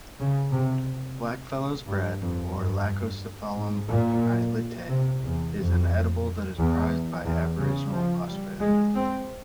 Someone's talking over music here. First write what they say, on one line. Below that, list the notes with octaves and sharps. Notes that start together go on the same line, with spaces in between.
Blackfellow's bread, or "Laccocephalum mylittae", is an edible that is prized by Aboriginal Australians.
C#3
C3
G2
F2
G2
G#2
A#2
C3
E2
F2
E2
E2
C#3
F3
G3
G#3
C4